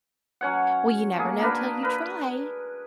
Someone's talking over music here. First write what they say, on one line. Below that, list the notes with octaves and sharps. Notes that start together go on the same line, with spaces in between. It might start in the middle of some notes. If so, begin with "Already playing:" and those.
"Well, you never know till you try."
F#3 C#4 C#5 F#5
A3 A#3 G#4
A#3 D4 A#4 B4
A#4 B4